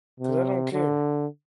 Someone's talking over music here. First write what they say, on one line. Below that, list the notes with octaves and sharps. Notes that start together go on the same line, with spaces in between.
'Cause I don't care."
C3
D3